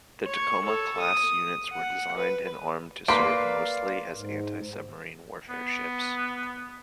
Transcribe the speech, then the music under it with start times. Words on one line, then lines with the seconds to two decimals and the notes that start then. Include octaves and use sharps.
The "Tacoma"-class units were designed and armed to serve mostly as anti-submarine warfare ships.
0.25 C#5 C#6
0.65 A4 C#5
0.99 D#6
1.72 F#5
2.17 B4
3.08 A#3 B4 D5 F5 C6 D7
4.13 G#2
5.50 B3